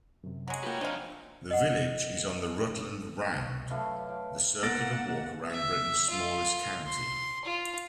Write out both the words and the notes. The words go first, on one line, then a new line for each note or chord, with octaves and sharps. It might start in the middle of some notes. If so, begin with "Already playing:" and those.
The village is on the Rutland Round, the circular walk around Britain's smallest county.
F#2 C3
F#3 G#3 C#5 F#5 A#5
A#3 F4 F#4 B4 G5
F3 C4 D4 D#4 F5
D#5 F#5
C#6
F#2 A3 B4 F5
F5 G5
A#3 B3 F#5 A6 A#6 D7 E7
E5
F4
C6
F4